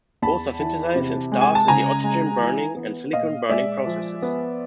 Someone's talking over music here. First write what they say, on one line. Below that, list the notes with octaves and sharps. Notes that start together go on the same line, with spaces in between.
Both are synthesised in stars in the oxygen-burning and silicon-burning processes.
E2 A5 B5
E3
C3
G#3
G#5
A5
C#3 G#5 A#5
G#3
E3
B3
A#2 D#5 F5
G#3 D5 E5
F3
B3